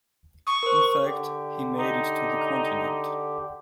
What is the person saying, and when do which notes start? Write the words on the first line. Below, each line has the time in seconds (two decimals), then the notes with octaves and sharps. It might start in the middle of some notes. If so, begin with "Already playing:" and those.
In fact, he made it to the continent.
0.47 C#6 D#6
0.63 A#4 C5
1.05 D3 G4
1.78 D#4